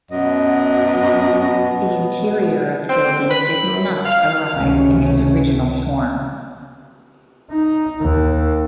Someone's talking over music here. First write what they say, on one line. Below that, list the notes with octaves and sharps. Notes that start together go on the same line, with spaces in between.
The interior of the building did not arrive in its original form.
F#2 B2 B3 D#5
C4
B5
F#2
F5
C#2 C3 D#3 F#3 A3 C#4
D#4
D#2